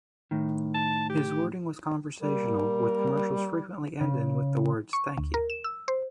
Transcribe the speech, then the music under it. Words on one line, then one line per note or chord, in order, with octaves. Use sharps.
His wording was conversational, with commercials frequently ending with the words "Thank You".
A2 D#3
A5
G4
G3 A#3 A#4
C#3
C#6
D2
A#4
E7
E6
C5